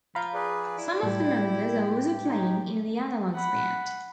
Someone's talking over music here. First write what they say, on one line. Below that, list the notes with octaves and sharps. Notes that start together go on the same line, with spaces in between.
Some of the members are also playing in The Analogs band.
F3 F5 A#5 B5
G#4 B4 D5
E4 D5
A2 G3 G4
C#4 D#4
F#5 B5